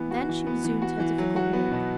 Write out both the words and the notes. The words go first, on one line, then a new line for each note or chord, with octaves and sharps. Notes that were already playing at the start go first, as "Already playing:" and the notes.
Then she resumed her difficult walk.
Already playing: E3 B3
F#4
E3
B3
E3
F#4
E3
F#3
F#4
B3
B2